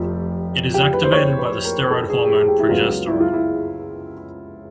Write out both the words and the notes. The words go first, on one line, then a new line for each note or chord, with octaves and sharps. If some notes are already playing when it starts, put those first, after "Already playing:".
It is activated by the steroid hormone progesterone.
Already playing: F1 F2 F3 A3 G4
G4
B4
C5
C#5
B4
A#4
A4
G#4
G4
G#4
G4
E4
C#2 C#3 F#3 B3 F4
E4
F4
E4